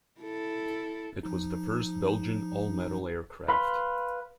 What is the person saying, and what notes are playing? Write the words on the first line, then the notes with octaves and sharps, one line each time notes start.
It was the first Belgian all-metal aircraft.
E4 A4
F3 D#4
B4 F5 B5 C6